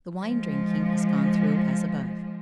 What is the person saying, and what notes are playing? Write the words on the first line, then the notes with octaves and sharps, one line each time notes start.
The wine-drinking is gone through as above.
F3 G#3